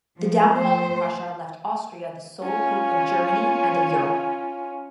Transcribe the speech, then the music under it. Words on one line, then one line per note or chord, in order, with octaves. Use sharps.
The downfall of Prussia left Austria the sole hope of Germany and of Europe.
F3
F3 A3 C5
C#4 F4